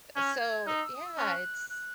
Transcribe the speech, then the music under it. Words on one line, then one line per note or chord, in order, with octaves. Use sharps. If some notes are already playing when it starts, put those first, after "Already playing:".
Uh, so, yeah, it's
C#4 G#6
D#4 E6
D#6
E6
C#4 F#6
F#6